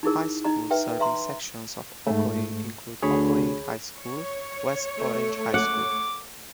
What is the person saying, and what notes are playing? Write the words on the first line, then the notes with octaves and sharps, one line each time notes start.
High schools serving sections of Ocoee include Ocoee High School, West Orange High School.
D#4 E4 G#4 A#4
D#4 D#5 A#5
B4 E5 G5
B4 E5 A#5 C6
G#2 A3
D2 G#4 C#5 B5
C#5
A3
F#5 D6